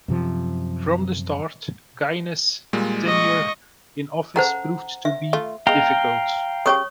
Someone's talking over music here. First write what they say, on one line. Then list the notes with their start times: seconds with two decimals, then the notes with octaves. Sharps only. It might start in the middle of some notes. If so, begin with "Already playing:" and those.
From the start, Gaines's tenure in office proved to be difficult.
0.08 F#2 C3 F3
2.73 A#2 G3 G#3
3.06 D#5 C#6
4.36 C#3 A4 C5 F#5 A#5
5.05 E5
5.33 A3 F4
5.67 G#3 B3 F5 G5 A#5
6.66 C#3 C4 G4 C#5 C#6 D#6